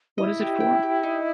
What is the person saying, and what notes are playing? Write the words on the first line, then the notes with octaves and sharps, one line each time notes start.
What is it for?
E4 D#5
G4
G5
G4
D#4